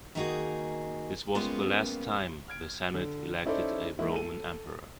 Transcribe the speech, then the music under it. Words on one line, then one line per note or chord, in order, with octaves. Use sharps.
This was the last time the Senate elected a Roman Emperor.
D#3 A#3 D#4 F#4 G#4
G3 G#3 A#3 B3 C#4 F4
F6 G#6 D7
D3
C#4 D#4 E4 A4 C5 D5
E3 G#3 A#3 D#4 E4
A4 D#7